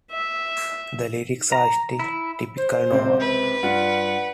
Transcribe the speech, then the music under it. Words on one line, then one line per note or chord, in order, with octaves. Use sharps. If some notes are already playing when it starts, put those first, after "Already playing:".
The lyrics are still typical Nova.
E5
A#5
E4
C5
C#2 C3 C4
B4
G2 F4 F#5